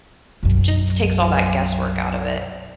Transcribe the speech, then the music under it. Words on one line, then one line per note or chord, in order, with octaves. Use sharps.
Just takes all that guesswork out of it.
B1 F#2